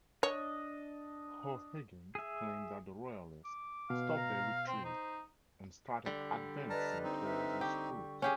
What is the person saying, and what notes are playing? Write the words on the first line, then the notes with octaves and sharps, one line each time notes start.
O'Higgins claimed that the royalists stopped their retreat and started advancing towards his troops.
D4 C#5 D#5
G#4 E5
D6
B2 F5
A#5
C4 C5
D#4
D3 G3
B4 D5 D#5 A5 A#5 F6
C4 D#4
B4 E5 F6
G4 C#6
C#4 G4 G#4